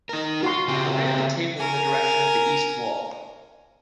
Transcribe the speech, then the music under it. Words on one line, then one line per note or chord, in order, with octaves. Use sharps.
Orient the table in the direction of the east wall.
D#4 A#4
F4 F#4 C6
C#3 C4 G4
A#4 G#5